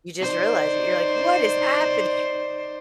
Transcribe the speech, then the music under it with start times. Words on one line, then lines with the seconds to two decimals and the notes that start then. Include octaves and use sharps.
You just realize it, you're like, "What is happening?!"
0.21 D#4 C5 D5